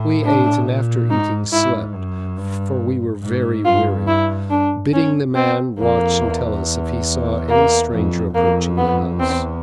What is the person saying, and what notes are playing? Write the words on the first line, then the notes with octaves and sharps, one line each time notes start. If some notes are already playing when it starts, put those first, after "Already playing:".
We ate, and, after eating, slept, for we were very weary, bidding the man watch and tell us if he saw any stranger approaching the house.
Already playing: A2
D4
A#2
G#2 D#4
G#2 E4
F#2
G2
G#2
G2 F4
E4
D4
C#4
C4
F2 A#3
E2
A#3
F2
F2 A#3
B3
E2 C4